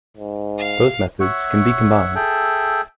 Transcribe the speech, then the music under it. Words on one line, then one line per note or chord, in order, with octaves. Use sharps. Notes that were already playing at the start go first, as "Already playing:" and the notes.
Both methods can be combined.
G#2
F5
C#5 E5 F#5 C#6
G#4 A4 E5 G5